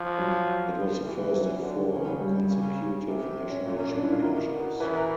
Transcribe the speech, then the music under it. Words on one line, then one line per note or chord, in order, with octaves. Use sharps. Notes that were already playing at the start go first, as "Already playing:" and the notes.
It was the first of four consecutive national championships.
Already playing: F3
F#3
E3
F#3
D3
C#3
G3
C#3
C3
C#4
A#2
C#4
D4
E4
F4
B2 A#4
B2
E3 B4
A#4